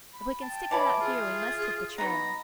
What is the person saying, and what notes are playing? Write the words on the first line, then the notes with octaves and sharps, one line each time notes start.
If we can stick it out here we must hit the trail ...
B5
G5 A5
E3 C#5 A5 B5 D6
F4 G#4
F#3 B3 D#4 A#5 B5